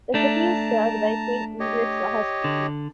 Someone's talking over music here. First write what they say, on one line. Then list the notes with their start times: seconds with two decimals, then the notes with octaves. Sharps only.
The city is served by Queen Ingrid's Hospital.
0.14 A3 D4 A5 A#5
1.60 G4 C#5 D#5
2.44 D3